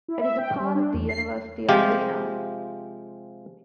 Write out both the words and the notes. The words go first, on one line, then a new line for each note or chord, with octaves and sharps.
It is a part of the University of Vienna.
E4
E5
G5
G3
D4
E2
C7
C3 F3 G#3 F4 G4